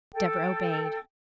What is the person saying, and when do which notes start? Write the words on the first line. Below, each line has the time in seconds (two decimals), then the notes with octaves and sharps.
Deborah obeyed.
0.14 A4 G5